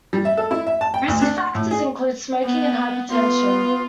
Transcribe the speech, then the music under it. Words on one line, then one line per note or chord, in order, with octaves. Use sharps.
Risk factors include smoking and hypertension.
G3
E5
A4
E4
E5
A5
G5
D2
D4
F#5
A2
G#4
B3
B3 F4